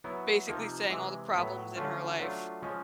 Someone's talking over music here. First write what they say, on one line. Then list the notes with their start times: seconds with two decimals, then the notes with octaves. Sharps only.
basically saying all the problems in her life,
0.04 F#3 B3 E4
0.47 C3 F3 A#3 D#4
0.90 C3 E3 G#3
1.33 A2 F#3 B3 E4
1.76 D3 F#3 A3 C#4 F4
2.19 F#3 A3 D4 F4
2.62 F3 G#3 C#4